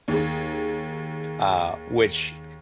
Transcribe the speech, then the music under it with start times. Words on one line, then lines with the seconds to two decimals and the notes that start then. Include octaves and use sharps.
uh, which,
0.08 D#2 G#4